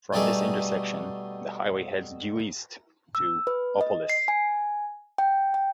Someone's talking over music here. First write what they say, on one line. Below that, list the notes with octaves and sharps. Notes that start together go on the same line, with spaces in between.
From this intersection, the highway heads due east to Opolis.
B2 G3 A3 D#4 G4 G#4
E6
B4
D#5
C7
G#5
G5
G5